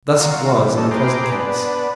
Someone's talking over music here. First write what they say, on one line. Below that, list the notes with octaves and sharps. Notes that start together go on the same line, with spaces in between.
Thus it was in the present case.
F4 F#4 A#4
G#2 E3 G3
G3 A3 C#4 D#4 A4
G#4 B4 G5 A#5 C6 D6
B3 D4 B4